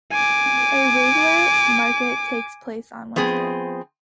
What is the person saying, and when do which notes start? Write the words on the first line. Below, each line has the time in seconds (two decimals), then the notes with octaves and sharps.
A regular market takes place on Wednesdays.
0.12 G#5 D6
3.16 F3 B3 C4 G#4